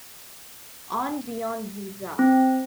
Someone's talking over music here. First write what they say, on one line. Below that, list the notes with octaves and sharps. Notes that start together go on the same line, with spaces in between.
On Beyond Zebra!
C4